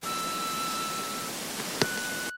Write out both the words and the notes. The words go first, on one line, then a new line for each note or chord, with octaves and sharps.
Please wait a moment while I am investigating the issue.
E6
F#6